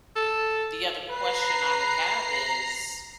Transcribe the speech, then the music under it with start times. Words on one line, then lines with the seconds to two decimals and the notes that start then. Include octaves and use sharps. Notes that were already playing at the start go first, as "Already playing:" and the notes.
the other question I would have is
0.16 A4
1.09 B4 A#5 C7